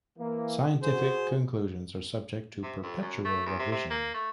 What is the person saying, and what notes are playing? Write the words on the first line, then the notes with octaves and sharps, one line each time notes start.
Scientific conclusions are subject to perpetual revision.
E3 A#3
F#4 G#4 C5
C3
F2
F#2
A3
E2
C3
C3
A#3
A3